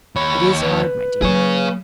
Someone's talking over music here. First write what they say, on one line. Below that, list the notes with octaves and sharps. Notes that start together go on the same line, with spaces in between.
"It is hard, my dear."
D#2 C#5 B5
B4
F#3 A#3 G#4 C#5